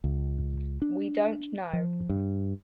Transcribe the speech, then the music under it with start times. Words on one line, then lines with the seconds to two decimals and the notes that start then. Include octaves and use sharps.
We don't know.
0.04 C#2
0.82 D4
1.73 F3
2.09 G2